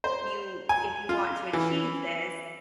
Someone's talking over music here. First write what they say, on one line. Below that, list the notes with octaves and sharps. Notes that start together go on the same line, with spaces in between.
you if you want to achieve this,
C5
G#5
F4
E3